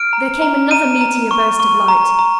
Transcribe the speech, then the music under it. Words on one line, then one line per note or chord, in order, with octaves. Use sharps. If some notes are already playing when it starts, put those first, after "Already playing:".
There came another meteor burst of light.
Already playing: F6 D7
A#5
A#5
A#5 D#7
A#5
C#6
C#6
A#5
A#5